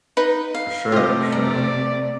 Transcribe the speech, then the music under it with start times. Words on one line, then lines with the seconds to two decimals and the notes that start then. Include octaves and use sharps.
For sure, for sure.
0.17 D#4 B4
0.54 F5
0.92 C3 A3 F4 G4 D#5
1.32 D5 A#5